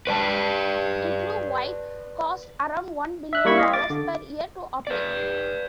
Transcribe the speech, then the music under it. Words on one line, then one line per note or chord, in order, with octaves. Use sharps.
"Igloo White" cost around one billion dollars per year to operate.
B4 D5 A5
E5 F#6
G3 A#3 E4 C#6 G#6 B6
D#5 F5
D6 A6
D3
B4 D5